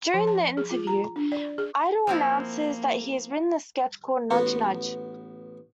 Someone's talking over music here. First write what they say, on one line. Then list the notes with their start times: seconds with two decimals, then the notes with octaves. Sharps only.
During the interview, Idle announces that he's written a sketch called "Nudge Nudge".
0.14 F3
0.27 A5
0.57 G#4
0.71 F4
0.87 A#5
1.16 D4
1.32 D5
1.58 G#4
2.07 F3 A#3 C4 E4
4.30 A1 B3 F#4